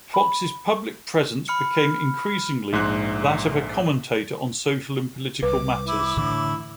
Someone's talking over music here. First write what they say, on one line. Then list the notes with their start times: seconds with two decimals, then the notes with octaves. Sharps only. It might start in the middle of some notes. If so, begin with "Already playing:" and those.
Fox's public presence became increasingly that of a commentator on social and political matters.
0.14 B5
1.48 B5 F6 C#7
2.72 A#1 G#2 C6 F#6
5.43 C2 B4 D6
5.87 E4
6.17 A2 D3 E3